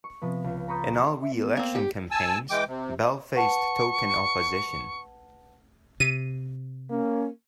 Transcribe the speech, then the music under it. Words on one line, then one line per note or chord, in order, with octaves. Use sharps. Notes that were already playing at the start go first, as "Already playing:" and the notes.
In all re-election campaigns, Bell faced token opposition.
C#6
C3 F3 B3
C#2
A#5 B5 C#6 D#6 G6 A6
E5
B3
A#3 C4
G4
G#5 A5 E6
E3 G#3 G5 D6
C3
B4 F#5 A5 C#6
C3 D#7
A#3 C#4